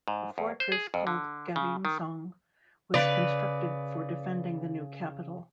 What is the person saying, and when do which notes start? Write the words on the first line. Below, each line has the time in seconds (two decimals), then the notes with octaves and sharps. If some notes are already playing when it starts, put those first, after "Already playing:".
A fortress called Garimseong was constructed for defending the new capital.
0.08 G#2
0.38 E2
0.60 C5
0.72 G#4
0.94 F2
1.07 D3
1.56 C#3
1.85 D#3
2.94 C#3 B4 D5